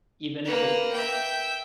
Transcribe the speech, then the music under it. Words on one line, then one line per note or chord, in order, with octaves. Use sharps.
Even if it's
A#3 B4
E5 G5